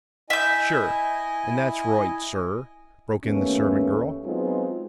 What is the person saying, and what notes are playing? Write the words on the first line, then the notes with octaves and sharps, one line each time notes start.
"Sure, and that's roight, sur," broke in the servant girl.
E4 D#5 E5 G#5 G6
D#2 A3 B3 C#4
F#3 G#3 B3 C4 D#4 F4